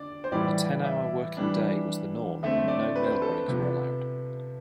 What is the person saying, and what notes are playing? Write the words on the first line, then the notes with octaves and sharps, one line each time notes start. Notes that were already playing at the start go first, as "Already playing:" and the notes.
A ten-hour working day was the norm and no meal breaks were allowed.
Already playing: D3 D4 D5
C5
A2 E3 G3 D5
E5
E3 G3 D4
D3 A3 C4 E5
D5
B4
C5
B4
A4
C3 F3 B3